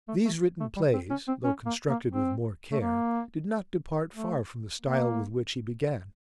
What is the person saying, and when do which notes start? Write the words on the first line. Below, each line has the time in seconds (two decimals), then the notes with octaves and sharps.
These written plays, though constructed with more care, did not depart far from the style with which he began.
0.08 A3
0.25 A3
0.60 A3
0.76 G3
0.93 C4
1.10 C#4
1.28 C4
1.44 C#4
1.66 A#3
1.89 A#3
2.11 C4
2.72 A3
2.80 A#3
4.14 A3
4.82 A#3